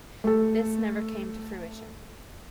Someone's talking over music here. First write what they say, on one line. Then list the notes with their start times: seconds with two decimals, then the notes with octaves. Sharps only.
This never came to fruition.
0.24 A3 A4